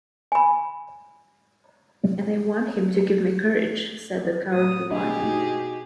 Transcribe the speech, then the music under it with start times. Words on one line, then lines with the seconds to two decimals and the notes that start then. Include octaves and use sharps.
"And I want him to give me courage," said the Cowardly Lion.
0.32 G#5 B5
4.52 A2 D#6
4.91 B2 D4 G4 G#4 D#5
5.22 D#4 F#4